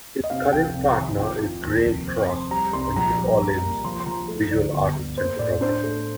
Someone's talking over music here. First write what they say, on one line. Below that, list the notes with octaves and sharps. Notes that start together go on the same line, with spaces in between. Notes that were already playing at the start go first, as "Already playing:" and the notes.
His current partner is Grey Cross, a New Orleans visual artist and photographer.
D#5
C3 F5
F1 G5
C2
D#3
F4 G5
F4
D#2
F1
C4
C4 C6
G3 A#5
C2 C6
A#1 A#5
G3
G3
A#3
F3 C6
C6
F3 A#5
A3
D2 D5
G1
G1
A#3 C5
A2 D5
D4 C5
A3